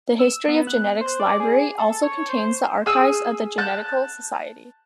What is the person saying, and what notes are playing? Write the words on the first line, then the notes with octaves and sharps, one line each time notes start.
The History of Genetics library also contains the archives of the Genetical Society.
E6
B3
F#6
C5
D5
G#4
A4
C#5
C5
G#4 G#5 E6
A5 F#6 G6